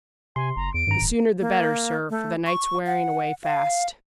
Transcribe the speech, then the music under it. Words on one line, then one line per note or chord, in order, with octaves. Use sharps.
"The sooner the better, sir, for the night's wearing away fast."
C3 G#5 C6
F#1 A#5
E2 D7
G#1 G2 A#5
D1
A#3
A3
C#6
F#5
F5